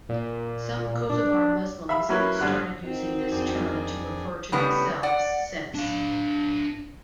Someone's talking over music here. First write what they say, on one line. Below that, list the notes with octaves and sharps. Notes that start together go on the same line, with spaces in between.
Some Kosovar Muslims have started using this term to refer to themselves since.
A#2
D4
E5 F5 B5 E6
F#3 A#3 C#4 E4 A#4 B4
G2 D3 F#6
D#3 C4 D#4 F#4
F2 D4 G#4
A2 C#3 G3 B3
D5 F#5
D4 F5